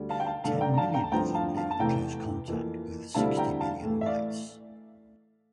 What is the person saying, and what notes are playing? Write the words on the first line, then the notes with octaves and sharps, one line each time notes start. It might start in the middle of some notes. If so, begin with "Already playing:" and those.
Ten million of them live in close contact with sixty million whites.
Already playing: D2 D3 G3
F5 A5
G5
F5 A5
G2 D3 A3 D4 F5 A5
G5 A#5
A#5
F5 A5
G5 A#5
A5
A1 G2 D3 F3 C4 G5 A#5
F5 A5
F5 A5
A5
F1 E2 C3 E3 A3 G5 A#5
F2 E3 A#3
D2 D3 G3 C4 E4 F5 A5
G5 A#5
F5 A5
A2 E3 A3
E5
D5 F5